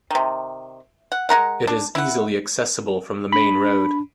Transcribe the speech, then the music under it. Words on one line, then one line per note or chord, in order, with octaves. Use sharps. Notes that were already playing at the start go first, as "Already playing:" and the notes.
It is easily accessible from the main road.
C3 D#3
F#5
G#3 D#4 A#4 F#5
D4
E4 F#5
D4 B5